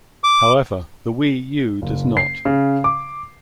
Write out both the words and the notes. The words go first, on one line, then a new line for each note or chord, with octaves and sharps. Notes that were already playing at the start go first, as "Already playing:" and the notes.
However, the Wii U does not.
D6
F#1
C7
C#3
D6